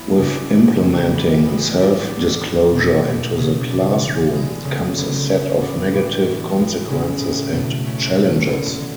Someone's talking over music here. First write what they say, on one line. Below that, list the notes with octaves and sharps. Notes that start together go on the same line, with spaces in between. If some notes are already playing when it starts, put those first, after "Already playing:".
With implementing self-disclosure into the classroom, comes a set of negative consequences and challenges.
Already playing: F#3 B3 E4
C#3 G#3 D4
E3 A3 E4
A2 F#3 B3 E4
E3 G#3 B3 D4
A2 G#3 B3 E4
A2 F#3 B3 D4
F#3 A3 D4
F#3 B3 D4
B2 G#3 B3 E4
B2 A3 E4
C#3 F#3 A3
E3 A3 D4
A2 G#3 D4
D3 G#3 B3
C#3 F#3 A3
D3 F#3 B3
F#3 A3 C#4
A2 F#3 B3 D4
A2 E3 B3 D4
F#3 B3 E4
A2 G#3 B3
C#3 G#3 C#4 E4
A2 F#3 A3 E4
B2 A3 E4
F#3 A3 C#4 E4
A2 F#3 A3 C#4
D3 F#3 B3
D3 F#3